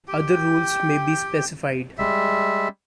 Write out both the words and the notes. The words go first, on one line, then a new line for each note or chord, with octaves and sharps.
Other rules may be specified.
G4 G5
G3 G#3 E5